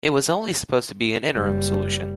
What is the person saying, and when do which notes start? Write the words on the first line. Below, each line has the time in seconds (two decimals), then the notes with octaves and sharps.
It was only supposed to be an interim solution.
1.34 F#1 G3